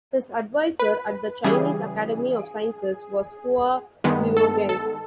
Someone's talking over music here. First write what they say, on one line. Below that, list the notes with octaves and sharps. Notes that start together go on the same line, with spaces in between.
His advisor at the Chinese Academy of Sciences was Hua Luogeng.
B4
C#3 E3 G3 G#4
G2 D#3 G#3 B3
A4
A4